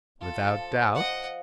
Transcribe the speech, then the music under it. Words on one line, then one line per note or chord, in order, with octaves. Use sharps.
"Without doubt."
F4 A4
F3
D#5 F#5